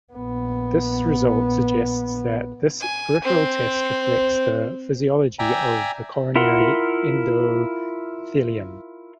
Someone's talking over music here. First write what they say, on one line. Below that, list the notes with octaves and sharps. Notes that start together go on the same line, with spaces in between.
This results suggests that this peripheral test reflects the physiology of the coronary endothelium.
A#1 B3
G#5
C4
D5 E5 G5 G#5 A#5
E4 F4 A#4 F#5 C6